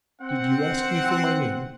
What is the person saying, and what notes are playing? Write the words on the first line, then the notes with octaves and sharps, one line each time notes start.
"Did you ask me for my name?"
C4 F#5